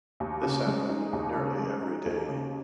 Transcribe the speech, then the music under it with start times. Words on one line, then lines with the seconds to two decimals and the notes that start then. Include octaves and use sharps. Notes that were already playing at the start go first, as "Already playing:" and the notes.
This happened nearly every day.
0.20 D#2
0.43 C#3
0.67 G#3
0.89 D#4
1.13 D#2
1.36 C#3
1.60 G#3
1.82 D#4
2.05 D#2
2.29 C#3